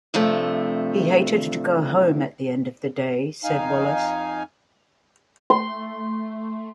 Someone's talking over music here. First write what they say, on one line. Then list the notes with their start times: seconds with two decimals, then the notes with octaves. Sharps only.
He hated to go home at the end of the day, said Wallis.
0.14 G2 C3 F3 A3
3.44 F2 D#4 F5 G#5
5.50 A3 C6